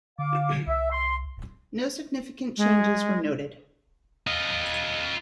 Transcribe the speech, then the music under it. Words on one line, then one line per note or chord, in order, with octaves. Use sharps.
No significant changes were noted.
D3 F5 D6
C2 E5
C6
G#3
F4 D#5